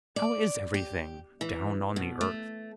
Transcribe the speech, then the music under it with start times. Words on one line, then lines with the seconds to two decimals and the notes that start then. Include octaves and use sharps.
"How is everything down on the earth?"
0.16 D5
0.74 G4
1.41 E3
1.96 B2
2.21 A3